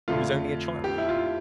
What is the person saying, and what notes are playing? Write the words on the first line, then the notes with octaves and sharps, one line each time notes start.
She was only a child.
F2 D3 A3 F4
G4
E4
F4